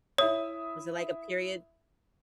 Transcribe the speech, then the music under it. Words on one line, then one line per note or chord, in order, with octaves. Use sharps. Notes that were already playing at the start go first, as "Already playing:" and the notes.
Was it like a period
E4 C#5 E5 D#6